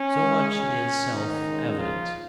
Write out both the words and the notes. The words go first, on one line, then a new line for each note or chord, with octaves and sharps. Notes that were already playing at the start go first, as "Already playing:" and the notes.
So much is self--evident.
Already playing: C#4
C#3 G#3
C#4
D#3 D#4
C#3 G#3
F3 F4